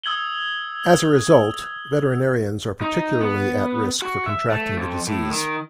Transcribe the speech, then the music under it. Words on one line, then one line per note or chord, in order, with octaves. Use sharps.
As a result, veterinarians are particularly at risk for contracting the disease.
D#6 E6 G#6 F#7 G7
D#4
B3
F#4
E5
A3
F2
A2
D#3